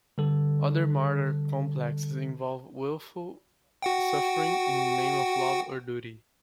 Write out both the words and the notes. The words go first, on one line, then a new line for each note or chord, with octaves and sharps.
Other martyr complexes involve willful suffering in the name of love or duty.
D3 G3 A4
F#4 F#5 G5